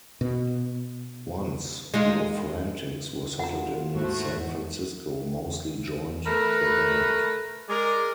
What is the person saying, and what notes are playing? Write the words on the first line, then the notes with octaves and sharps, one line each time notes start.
Once The Frantics were settled in San Francisco, Mosley joined the band.
B2
G#3 D#4 F4
F4 F#5 A#5
G#2 A3 E4 F#4 C5
A3 A#4 B4
G#3 A#4 D5